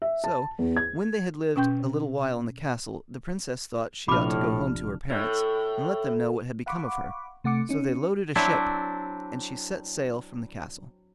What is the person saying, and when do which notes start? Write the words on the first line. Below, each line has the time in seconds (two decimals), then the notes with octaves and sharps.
So, when they had lived a little while in the castle, the Princess thought she ought to go home to her parents, and let them know what had become of her; so they loaded a ship, and she set sail from the castle.
0.02 E5
0.24 A5
0.58 E2
0.77 G#6
1.56 B2 C#4 G5 C6 G6
4.08 A#1 A2 C3 F3 D4 B5 D6 F6
5.10 A2
6.66 F5 F#5 B5 C#6 D6
7.44 C3 A3 F#5 D6 C#7
7.69 C#4 D#4
8.35 F#3 C4 D4 E4